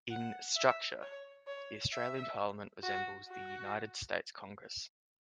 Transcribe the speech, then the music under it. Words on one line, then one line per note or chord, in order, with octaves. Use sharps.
In "structure", the Australian Parliament resembles the United States Congress.
F#5
E5
C#5
C#5
E5
F#4
F#4